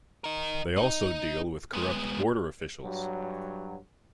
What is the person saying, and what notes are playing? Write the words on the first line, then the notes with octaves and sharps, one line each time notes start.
They also deal with corrupt border officials.
A#4 D#5
D#4
G#3 B3
G2 F#3